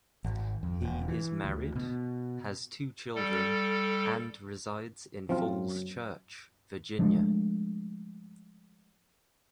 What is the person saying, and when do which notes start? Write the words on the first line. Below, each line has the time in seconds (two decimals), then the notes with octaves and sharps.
He is married, has two children, and resides in Falls Church, Virginia.
0.24 G#1
0.63 F2
0.82 E1
1.08 E3
1.44 D2
1.76 B2
3.15 G3 A4
5.29 F#2 F3 C4 F4
6.99 F3 G#3 A3 D4